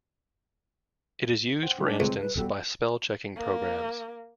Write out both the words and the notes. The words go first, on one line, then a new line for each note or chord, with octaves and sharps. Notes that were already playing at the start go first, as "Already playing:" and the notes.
It is used, for instance, by spell-checking programs.
C5 F#5 G5
G3 D4 D#5
C#2 C4
B4
E1 G3 F#4 A4
A#3